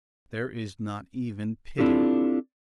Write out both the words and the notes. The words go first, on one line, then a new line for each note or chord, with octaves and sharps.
There is not even pity.
C4 D4 E4 F4 G4 A4